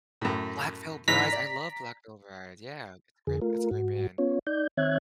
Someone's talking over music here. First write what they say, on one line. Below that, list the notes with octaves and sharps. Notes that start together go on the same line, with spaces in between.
Black Veil Brides. I love Black Veil Brides. Yeah. It's a great it's a great band.
F#2 A2
G#2 E3 A#5 B6
D5
F2 D3 G#4
A3 F4 A#4
G#2 F#4
B3 C#4 F4 C#5
D#4 D5 G6
D#3 C4 C#5 E5 F#6 G#6